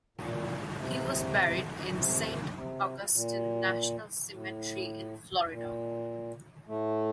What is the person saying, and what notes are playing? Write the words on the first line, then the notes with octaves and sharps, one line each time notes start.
He was buried in Saint Augustine National Cemetery in Florida.
A#2
C3
C3
C3
A#2
A2
A#2
A2 A3